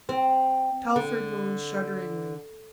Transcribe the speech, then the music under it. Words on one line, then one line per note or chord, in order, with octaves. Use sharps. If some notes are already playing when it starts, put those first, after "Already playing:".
Telford moaned shudderingly.
C4
D3